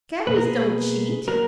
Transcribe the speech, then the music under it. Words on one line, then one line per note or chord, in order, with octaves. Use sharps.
"Cabbies don't cheat."
B2 A#3 B4
A#4
G#4 B4
F#3 A#3 F#4 A#4